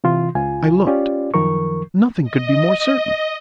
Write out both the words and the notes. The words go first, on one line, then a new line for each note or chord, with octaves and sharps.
I looked: nothing could be more certain.
C3 E3 F4 C6
C#2 F4 G#5
C#4 F4 G4 D5
F#2 D#3 F3 A#4 C#6
D#5